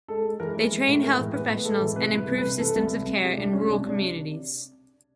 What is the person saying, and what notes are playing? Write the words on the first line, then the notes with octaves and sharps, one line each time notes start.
They train health professionals and improve systems of care in rural communities.
G#3 A4
G#3
E3 A#4
G#3
E3
A2
G#3 A#4
E3
B3 B4
A2
G#3 A4
E3
C3 B4
E3 B4
C2
B4
C3
E3 A4
C2
C2
C3
G#3 G4
C2 D4
G#3 C#4
C2 D4
C3 D4